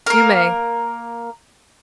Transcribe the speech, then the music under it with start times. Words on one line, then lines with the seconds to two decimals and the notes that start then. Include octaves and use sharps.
"You may."
0.06 A#3 A#4